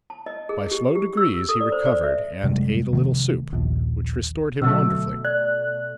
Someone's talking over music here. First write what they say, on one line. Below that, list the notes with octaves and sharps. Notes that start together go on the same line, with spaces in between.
By slow degrees he recovered and ate a little soup, which restored him wonderfully.
A5
D#5
G#4
G4
G4
E6
A4
D5
C5
D5
E5
F#2 C3 G3 G#3
C3 D#3 F3 A3
A#1 D#2 F3
B2 D3 F#3 A3 E6
D5 F#6